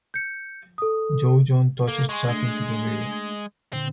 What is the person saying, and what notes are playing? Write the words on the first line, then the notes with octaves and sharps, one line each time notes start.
Joe John tosses Chuck into the river.
G6 C#7
A4 D#6
A#3 A4
G#3 G#5 C6 C#6
G#3 A3 D4
A#2 D3 C4